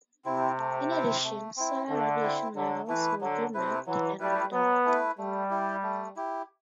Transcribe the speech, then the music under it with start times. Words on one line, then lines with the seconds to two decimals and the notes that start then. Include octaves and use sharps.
In addition, solar radiation levels will be mapped and modeled.
0.25 C3 C4 E4
0.58 A3
0.91 C4 E4
1.24 A3
1.57 C4 E4
1.89 D3 A3
2.22 C4 E4
2.55 D3 F#3
2.87 E3 A3 E4 B4
3.21 D3 F#3
3.54 C3 A3 E4 B4
3.86 E3 F#3
4.19 G3 A3 E4 B4
4.52 F#3 B3
4.85 A3 E4 B4
5.18 G3 A3
5.50 E4 G4
5.83 A3
6.16 E4 G4